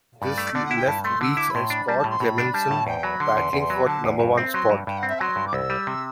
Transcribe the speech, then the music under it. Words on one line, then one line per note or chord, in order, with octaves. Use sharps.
This left Weekes and Scott Clemmensen battling for the number one spot.
G2 D5
A3
D3 D5
E4 F#5
G5
G2 A5
A3 C6
D3 E6
E4 D6
B5
A2 C6
D4 B5
G3 A5
A5
A2
C6
A2 B5
D4
G3 A5
A2
E2 G5
F#3 B5
D3 C6
E2
E2
C6
F#3 B5
D3 A5
E2
G2
C4
F#3 C6
G2
G2 G5
F#5
C4
E5
F#3 C6
G2
D6
C2 E6
G3
C3